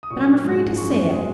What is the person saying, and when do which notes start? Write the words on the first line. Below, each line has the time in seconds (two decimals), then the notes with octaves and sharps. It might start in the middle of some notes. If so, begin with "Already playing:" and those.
But I'm afraid to say it.
0.03 D#6
0.10 A#2 F#3 C#6
0.43 G#2 F3 G#3
0.76 F#2 F3 G#3 C#6
1.10 B2 G#3